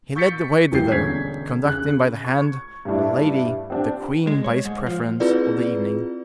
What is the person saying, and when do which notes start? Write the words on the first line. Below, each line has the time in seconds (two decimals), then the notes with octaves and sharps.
He led the way thither, conducting by the hand a lady, the queen, by his preference, of the evening.
0.15 C#6 G6 A6 B6 C#7
0.71 D#1 E3 G4 G6 C7
0.91 E1 D3 C#4 G#6 B6
1.65 C#3 F#6
2.25 C#6 G#6
2.85 G2 G3 A3 D4 E4
3.70 C4 D4 G4
4.27 G#3
4.44 C#5
4.65 G#2
4.87 F3
5.20 C4 E4 F4 G#4 B4 D5